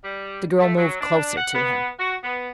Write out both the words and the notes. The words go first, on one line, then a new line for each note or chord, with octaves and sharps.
The girl moved closer to him.
G3
A3
F#3
D4
F#5
B3
F#4
B3